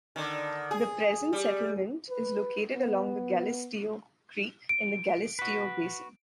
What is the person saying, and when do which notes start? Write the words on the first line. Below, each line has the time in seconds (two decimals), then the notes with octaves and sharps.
The present settlement is located along the Galisteo Creek in the Galisteo Basin.
0.16 D3 D#3
0.71 G#4
1.33 G3
2.09 B4
2.72 B3
4.69 D7
5.39 F#4 B4